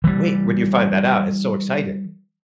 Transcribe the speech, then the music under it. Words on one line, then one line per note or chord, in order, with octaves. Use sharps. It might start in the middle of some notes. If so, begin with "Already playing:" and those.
"Wait, where'd you find that out? It's so exciting."
E3 G3